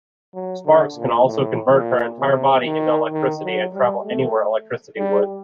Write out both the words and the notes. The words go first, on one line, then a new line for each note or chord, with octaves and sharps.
Sparks can also convert her entire body into electricity and travel anywhere electricity would.
F#3
D3
A#2
A2
A#2
C3
D#3
D#3
F#3
G3
A3
G3